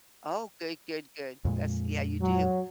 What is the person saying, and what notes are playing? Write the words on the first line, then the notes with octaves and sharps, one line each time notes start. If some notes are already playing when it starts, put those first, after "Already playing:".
Oh, good, good, good. That's yeah, you do.
F2 A#2 G#3
F#3